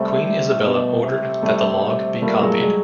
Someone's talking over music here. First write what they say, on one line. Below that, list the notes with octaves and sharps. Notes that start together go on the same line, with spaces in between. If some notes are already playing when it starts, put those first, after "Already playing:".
Queen Isabella ordered that the log be copied.
Already playing: C3 G3 A3
B2
C3
G3 A3
A#2 G3 A3
F#3 G#3
F#3 G#3